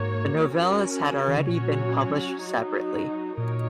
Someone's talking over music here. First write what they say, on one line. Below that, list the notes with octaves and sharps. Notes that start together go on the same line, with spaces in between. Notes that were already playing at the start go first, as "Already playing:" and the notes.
The novellas had already been published separately.
Already playing: G#2 A#3 F#4 C#5
C#4 F#4 A#4
D#3
C#3
A#2 F#3 C#4 F#4 C#5
F#3 D#4 F#4
A#2 D#3 F#3 D#4 A#4 C#5